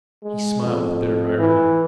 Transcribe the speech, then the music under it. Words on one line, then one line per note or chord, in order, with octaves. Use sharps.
He smiled with bitter irony.
G#3
F2
E3